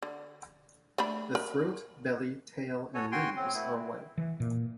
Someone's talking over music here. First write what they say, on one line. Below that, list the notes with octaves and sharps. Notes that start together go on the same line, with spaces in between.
The throat, belly, tail and limbs are white.
D3
A3 D4 B5
A#4
F#4 A4 C#5 G#5
F#4 G5 G#5 C6
A2 C4
A3 B3 E4
E3
A#2